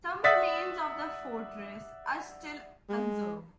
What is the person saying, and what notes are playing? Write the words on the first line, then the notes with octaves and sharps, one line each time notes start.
Some remains of the fortress are still conserved.
D5 E5 F#5 D#6 A6 B6
G#3